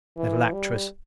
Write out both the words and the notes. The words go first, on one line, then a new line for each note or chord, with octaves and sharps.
Little actress!
E3
G3